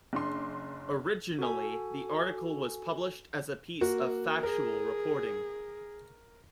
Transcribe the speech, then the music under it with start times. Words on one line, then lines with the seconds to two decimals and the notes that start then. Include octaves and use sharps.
Originally, the article was published as a piece of factual reporting.
0.13 F#1 D4 C6
1.39 F#4 A4 G#5
3.81 A#3 F#4
4.43 G#4 A#4